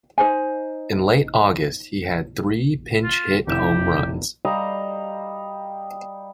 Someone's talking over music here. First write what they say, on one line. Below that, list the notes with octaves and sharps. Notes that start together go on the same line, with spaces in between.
In late August, he had three pinch-hit home runs.
D#4 B4 C5 G#5
F4
F1 E4 G4 E7
G3 D#5 F5 A#5